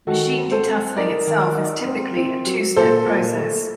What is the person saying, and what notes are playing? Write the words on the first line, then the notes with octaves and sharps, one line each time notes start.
Machine detasseling itself is typically a two step process.
D#3 F#4 A4
C4
A4 C5
C4
D#4 A#4 D5
D#3
D#4
C4
C4
F#3
A#2 A4 C5
A#2
A3